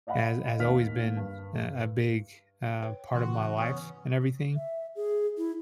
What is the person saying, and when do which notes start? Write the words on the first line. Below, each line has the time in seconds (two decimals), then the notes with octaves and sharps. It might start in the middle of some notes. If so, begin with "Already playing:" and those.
has has always been, uh, a big, uh, part of my life and everything.
0.07 D5 D#5 F5 F#5 B5
0.59 D#2 C5 F5 F6 B6
1.17 G2
2.83 B4 C#5 G5
3.13 G#2 C#3 E3 F#4 C6
3.57 B3 C#4 C#6 D#6
4.56 E5
4.96 G#4
5.38 E4